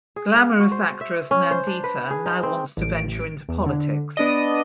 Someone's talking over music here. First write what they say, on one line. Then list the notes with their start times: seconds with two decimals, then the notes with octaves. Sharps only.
Glamorous actress Nandita now wants to venture into politics.
0.16 G#4
0.36 F5
0.60 F#4
0.71 C5
1.01 E5
1.31 C#4
1.51 C5
1.67 D4
1.84 B4
2.11 G#4
2.26 D#4
2.43 C4
2.77 A1 D7
3.49 E2
3.66 D3
4.16 B3 D4 D5 D#5 D#7